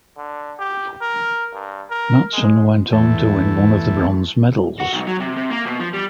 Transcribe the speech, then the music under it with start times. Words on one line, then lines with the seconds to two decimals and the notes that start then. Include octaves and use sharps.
Mattsson went on to win one of the bronze medals.
0.18 D3
0.59 G4
1.01 A#4
1.53 G2
1.90 A#4
2.33 G#3
2.93 E2 A3
4.81 F#4
4.93 B1
5.08 F#3
5.21 C3
5.37 C3
5.51 A#3
5.66 B2
5.80 F3
5.94 G3